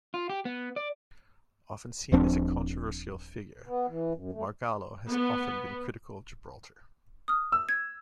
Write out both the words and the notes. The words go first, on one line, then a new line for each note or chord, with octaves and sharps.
Often seen as a controversial figure, Margallo has often been critical of Gibraltar.
F4
G4
B3
D5
D#1 F3 C4 D4
B3
E3
F#2
A3
B3
D#6 F6
E6
G#6